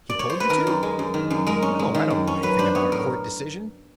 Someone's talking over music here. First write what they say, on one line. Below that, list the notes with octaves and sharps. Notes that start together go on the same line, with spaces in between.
He told you to!--No, I dunno anything about a court decision.
D5
C#5
C5
B4
D#3 A#4
F#2
G#3
F#2
D#3
F#2
G#3 A#4
C#4
G#3
D#3
F#2
C#4
F#3 B4
D4 C5
B3 C#5
A2 A#4